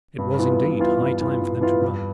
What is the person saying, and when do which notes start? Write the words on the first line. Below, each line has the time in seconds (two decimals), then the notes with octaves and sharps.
It was, indeed, high time for them to run.
0.18 G2
0.39 E3 B3 F4
0.60 G2
0.80 E3 B3 F4
1.00 G2
1.21 E3 B3 F4
1.41 G2
1.61 E3 B3 F4
1.81 G2